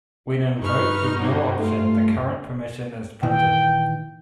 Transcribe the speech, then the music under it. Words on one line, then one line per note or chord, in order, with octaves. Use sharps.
When invoked with no option, the current permission is printed.
G2 D#4 B4 C#6 F6
F#3 G3 A#3
A3 F4
A#2 D#3 E3 G5